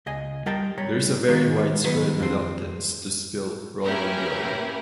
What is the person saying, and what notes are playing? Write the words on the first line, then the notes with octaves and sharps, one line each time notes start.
There is a very widespread reluctance to spill royal blood.
C#2 D#5 G#5
G3 A#4 D#5 G5 A5
G3 C#5 A#5
D#3 G#3 A#3
D#3 F#3 B3 B4
F2 C4
A#3 C#4 E4 G4 A#4 B4